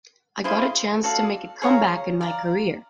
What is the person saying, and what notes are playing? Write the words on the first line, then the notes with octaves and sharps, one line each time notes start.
I got a chance to make a comeback in my career.
E4 G#4 C5 F5
F#4 A4 D5 F5
G#4 C#5 F5 A#5
D5 F5 A#5